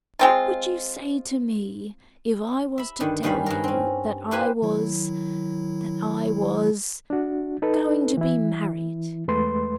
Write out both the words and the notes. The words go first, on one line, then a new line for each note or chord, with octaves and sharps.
'What would you say to me, if I was to tell you that I was--that I was--going to be married?'
G#3 C4 F4
E5 B5
G2 D3 D#3
G2 D#3 G3 C#4 F5 B5
G2 G#4 A#4
C4 C#4
E4 G4 B4 C5 G#5 B5
D#3 F#3 E4
D4 F#4
D#4 A4 B4
E3 E4
E2 G#3 A3 B4 C6